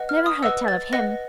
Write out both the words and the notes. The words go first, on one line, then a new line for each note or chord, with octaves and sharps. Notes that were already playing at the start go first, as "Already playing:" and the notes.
"Never heard tell of him!"
Already playing: B4 D#5 F#5
F6
D#6
B4 D#5 F#5 E6
A6
B4 D#5 F#5 A#6